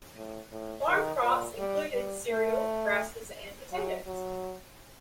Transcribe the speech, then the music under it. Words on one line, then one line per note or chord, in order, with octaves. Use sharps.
Farm crops included cereal grasses and potatoes.
A2
A2
D#3
A#2
G3
G3
A3
F#3
F#3